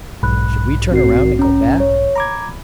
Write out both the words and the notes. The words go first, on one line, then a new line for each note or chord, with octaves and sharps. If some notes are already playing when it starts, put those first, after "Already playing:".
Should we turn around and go back?
B1 G#2 B5 F#6
C4 F#4 C7
C#4 A#5
C#5
A#5 B5 D6 G#6